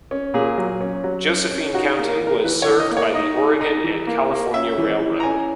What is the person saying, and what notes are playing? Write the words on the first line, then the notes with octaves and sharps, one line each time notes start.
Josephine County was served by the Oregon and California Railroad.
C#4
A#2 G#4
F#3
C#4
F#3
C#4
C#4
D#4 F#4
G#4
A#3
A#4
E3
A#4
E3 B4
C#5
E3
D#5
A#3
C#5
D#4 D#5
D#4
D#4
E3
A#3
A#3
C#4 E5
E3
E3
A#5
C#4 G#5